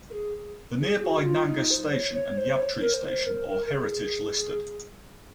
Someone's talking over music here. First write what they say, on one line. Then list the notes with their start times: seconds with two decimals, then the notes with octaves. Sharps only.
The nearby Nangus Station and Yabtree Station are heritage listed.
0.10 A#4
0.13 G#4
0.81 G#4
1.03 F#4
1.25 F4
1.47 D#4
1.71 C5
1.93 C#5
2.14 C#5
2.38 C5
2.60 C#5
2.81 A#4
2.94 C5
3.04 C5
3.26 A#4
3.49 A#4
3.66 A#4
3.71 G#4
4.38 G#4